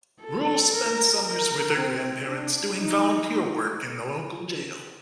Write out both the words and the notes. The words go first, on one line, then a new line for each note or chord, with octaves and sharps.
Rule spent summers with her grandparents doing volunteer work in the local jail.
A4
A#4
A#4
C4
D4
D#4